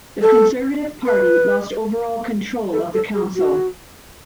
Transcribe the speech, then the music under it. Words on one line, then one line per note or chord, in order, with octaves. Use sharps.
The Conservative Party lost overall control of the council.
A4
B4
A4
A4
G#4
F#4